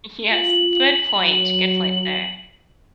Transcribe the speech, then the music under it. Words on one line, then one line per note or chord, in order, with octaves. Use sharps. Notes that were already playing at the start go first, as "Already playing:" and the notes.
Yes. Good point. Good point there.
F4 F#7
F#3